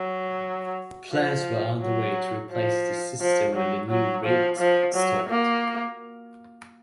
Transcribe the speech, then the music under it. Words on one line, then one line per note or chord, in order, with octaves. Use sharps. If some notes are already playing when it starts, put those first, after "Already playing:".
Plans were underway to replace this system when the new radars were installed.
Already playing: F#3
F3
F#3
F3
F3
F#3
F#3
F3
F3
F#3
A#3